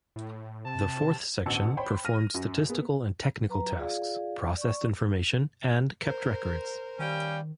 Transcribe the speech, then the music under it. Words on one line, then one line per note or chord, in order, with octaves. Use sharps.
The fourth section performed statistical and technical tasks, processed information, and kept records.
A2
C3 A5
A1 D2 B2 A5 E6 C#7
C5 C#5 G5 B5
F6 A#6 D#7
F#2
A#3 B3 G#4
F#3 B4 A#5
F4 G#4 D5 F5
D5 C#6
A#4 C5
D#3 G3 C#4 F5 G5